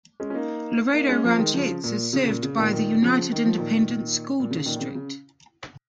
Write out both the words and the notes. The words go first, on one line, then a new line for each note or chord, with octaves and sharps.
Laredo Ranchettes is served by the United Independent School District.
G#3 C#4
C#4
A#3 D#4
A#3 D#4
G#3 C#4
F3 A#3
D#3 G#3
C#3 F3
A#2
C#3
C#3
A#2
C#3
A#2 D#3
A#2 D#3
C#3 F3
D#3
F3
A#2 D#3
A#2
C#3
A#2 D#3
D#3
C#3
C#3